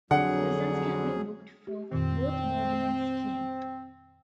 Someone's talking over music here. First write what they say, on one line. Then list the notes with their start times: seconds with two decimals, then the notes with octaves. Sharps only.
Lessons can be booked for both boarding and skiing.
0.11 F2 D3 F#3 G#4 F#5
1.67 G4
1.92 F2 A#2 D#3 C4